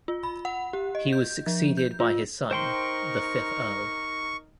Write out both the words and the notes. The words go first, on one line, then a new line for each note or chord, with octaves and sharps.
He was succeeded by his son, the fifth Earl.
F4
B5
F#5
G4
D#5
G6
F3
G6
F4
D#4 A#4 C5 G5 C6 C#6